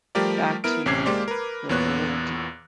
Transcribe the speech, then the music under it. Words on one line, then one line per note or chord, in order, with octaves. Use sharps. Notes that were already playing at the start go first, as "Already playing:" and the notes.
back to the Old
F3 G3 A3 G4 A#4 D5
B3 E4 A#4 F6 D7
A1 C3 C#4 D6 G#6 C7
G#3 A#3 G4 C5 D5
A#4 B4
E2 A#2 B3 C#5 F#6